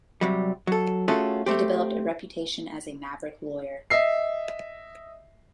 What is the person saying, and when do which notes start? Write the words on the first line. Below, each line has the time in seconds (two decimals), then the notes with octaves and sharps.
He developed a reputation as a maverick lawyer.
0.21 C3 F#3 G3
0.67 F#3 A4
1.08 A3 C#4 F4 F#4 G#4 A4
1.46 A3 C4 G4
3.90 D#5 E5 C7